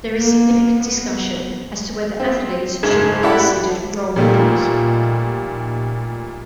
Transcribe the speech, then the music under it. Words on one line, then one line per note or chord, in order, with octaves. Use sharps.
There is significant discussion as to whether athletes should be considered role models.
A#3
B3
C4
F#1 G#2 G#4 G#6 E7
E4 G4 A4 D5 F#5 B5
A#2 F3 G3 A3 D#4 F4